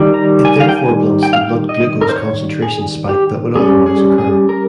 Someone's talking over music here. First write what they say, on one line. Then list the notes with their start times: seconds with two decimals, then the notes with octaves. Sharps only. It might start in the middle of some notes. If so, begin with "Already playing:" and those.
It therefore blunts the blood glucose concentration spike that would otherwise occur.
Already playing: D#3 G3
0.14 A#5
0.45 G#5
0.60 F5
0.69 G5
0.76 G#5
1.23 G5
1.33 F5
1.43 G5
1.69 D#5
2.01 A#4
2.09 C5
2.16 C#5
2.62 G#4
3.09 G4
3.55 G3 C#4 G#4
3.86 G#4
4.18 G#4
4.49 A#4